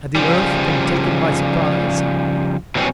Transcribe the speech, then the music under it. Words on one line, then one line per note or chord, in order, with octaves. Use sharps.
Had the Earth been taken by surprise?
C#3 F3 G3
B2 E3 F#3 G3 C4 C#4